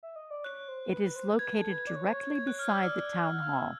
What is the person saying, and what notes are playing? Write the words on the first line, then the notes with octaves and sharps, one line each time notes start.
It is located directly beside the Town Hall.
E5
D#5
D5
C#5 F#6
C5
B4
B4
C5
B4 G#6
A4
B4
D5
C#5
C5
C#5
G#6
F#6
F6
E6
D5 F6
F#5
F5
E5